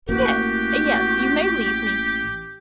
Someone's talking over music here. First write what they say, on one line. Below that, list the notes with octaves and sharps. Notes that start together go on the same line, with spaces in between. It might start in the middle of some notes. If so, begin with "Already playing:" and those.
"Yes, yes, you may leave me."
A1 A#3 F#4 G4